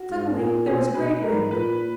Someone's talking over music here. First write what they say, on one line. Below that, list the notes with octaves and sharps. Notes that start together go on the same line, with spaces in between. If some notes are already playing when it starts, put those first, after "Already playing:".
Suddenly there was a great wind.
Already playing: F#4
G#2
A#2 G#4
B2 G#4
B2 B4
G#2 A#4
A#2 B4